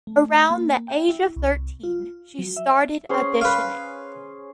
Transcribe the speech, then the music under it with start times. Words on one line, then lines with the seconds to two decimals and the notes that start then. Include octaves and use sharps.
Around the age of thirteen she started auditioning.
0.07 A3
0.50 A#3
0.88 G5
1.09 E4
1.36 C2
1.83 F4
2.39 F#3
2.56 E5
3.09 C#4 G#4 C5
3.41 B4 F5